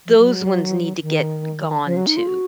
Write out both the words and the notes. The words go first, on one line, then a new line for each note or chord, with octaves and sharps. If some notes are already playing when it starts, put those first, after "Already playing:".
Those ones need to get gone, too.
F3
F#3
D#3
F3
F#3
D#4
F4
F#4